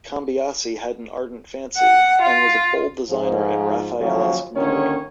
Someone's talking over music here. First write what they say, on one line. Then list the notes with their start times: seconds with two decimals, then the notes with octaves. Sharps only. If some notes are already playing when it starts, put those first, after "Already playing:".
Cambiasi had an ardent fancy, and was a bold designer in a Raphaelesque mode.
1.77 F#5
2.22 F4
3.09 G#2 F3
4.00 D#2 C#3 F3 F#3
4.56 D#2 A2 D3 D#3 C#4 C#5